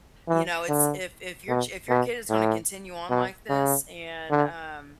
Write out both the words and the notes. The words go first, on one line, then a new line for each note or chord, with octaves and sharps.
you know, it's if if your ch if your kid is gonna continue on like this and, um
E3
D3
B2
B2
A2
B2
C#3
D3